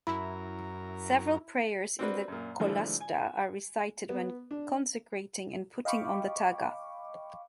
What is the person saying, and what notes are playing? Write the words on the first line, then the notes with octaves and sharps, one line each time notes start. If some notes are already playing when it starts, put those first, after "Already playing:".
Several prayers in the "Qolasta" are recited when consecrating and putting on the "taga".
F#2 E4 A#4 B5
C4 D4 F#4 A#4 B4 D5
F#2 A#2
A2 D3 E3 F3 G3 G#3
G#5
B3
D4
D#5 F5 G5 B5 C#6 D6